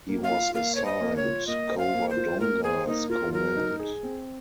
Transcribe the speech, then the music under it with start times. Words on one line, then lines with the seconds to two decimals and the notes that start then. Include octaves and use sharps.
He was assigned "Covadonga"'s command.
0.09 A#3
0.23 F5
0.31 F4
0.54 A#3 F5
0.75 C5 C#5
0.86 D#5
1.01 A#3
1.16 C#5
1.25 F4
1.47 A#3 D#5
1.71 C5
1.78 F5
1.94 A#3
2.10 C5
2.17 F4
2.40 A#3 A#4
2.63 G#4 C5
2.87 A#3 D#4
3.10 F4 A#4
3.33 F#3 A#4
3.56 D#4
3.80 G#4
4.03 C4